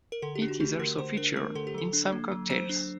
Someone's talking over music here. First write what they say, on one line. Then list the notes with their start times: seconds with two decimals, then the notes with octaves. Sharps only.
It is also featured in some cocktails.
0.12 A#4
0.22 D3 A4
0.35 G4
0.42 D4
0.48 F#4
0.60 A3 G4
0.79 D3 A#4
0.98 D3 C5
1.17 D4 A#4
1.36 A3 A#4
1.55 D3 A4
1.67 G4
1.74 F#3 A4
1.93 D4
2.12 A#3
2.32 F#3
2.50 F#3 C5
2.69 D4